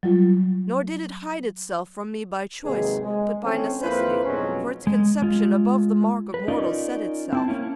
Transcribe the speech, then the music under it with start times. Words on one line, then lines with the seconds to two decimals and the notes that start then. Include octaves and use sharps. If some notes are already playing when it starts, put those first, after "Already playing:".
Nor did it hide itself from me by choice, But by necessity; for its conception Above the mark of mortals set itself.
0.03 F#3 G3 F4
2.65 D#2 G#2 C3 F#3 G#4 B4
3.04 G#3
3.43 G#1 E3 C4 C#4 A4
3.81 F2 A#3 E4 B4 C5
4.25 F2 G#2 B2 F#3 G#3 C#4
4.87 G#3
5.22 G#3 F4
6.34 B4
6.48 C#4 D#4 F4 A#4 D5 D#5
7.33 C4 E4 A5
7.48 A#3 C#4 E4